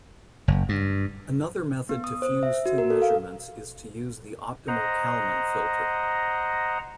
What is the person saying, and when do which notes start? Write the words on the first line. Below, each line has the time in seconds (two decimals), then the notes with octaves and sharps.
Another method to fuse two measurements is to use the optimal Kalman filter.
0.48 F#1
0.69 G2
1.89 B3
2.04 D#6
2.22 C5
2.43 E5
2.66 F#4
2.78 A#4
2.90 A4
3.02 F5
4.68 C5 D#5 F#5 A#5